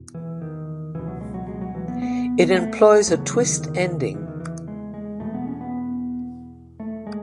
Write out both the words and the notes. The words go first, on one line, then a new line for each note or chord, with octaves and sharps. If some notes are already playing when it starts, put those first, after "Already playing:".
It employs a twist ending.
Already playing: E2 B2
E3
D#3
C#2 B2 E3
F#3
G#3
F#3
G#3
F#3
E3
B3
B3
A3
E2 C#3 F#3
D#3
D#3
E3
D#3
E3
G#3
G#3
E2 B2 A3
B3
C#4
B3
A3
G#3